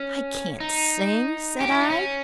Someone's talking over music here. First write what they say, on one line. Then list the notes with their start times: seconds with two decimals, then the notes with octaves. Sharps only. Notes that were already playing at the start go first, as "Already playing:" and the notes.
"I can't sing," said I.
Already playing: C#4
0.60 D#4
1.60 G4
1.72 E4
1.80 D#4
1.90 C#4